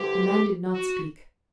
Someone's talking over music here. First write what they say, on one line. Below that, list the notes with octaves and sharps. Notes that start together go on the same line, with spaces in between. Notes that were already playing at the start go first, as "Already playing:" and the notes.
The man did not speak.
Already playing: G2 D3 G3 C4 E4 G4
F#4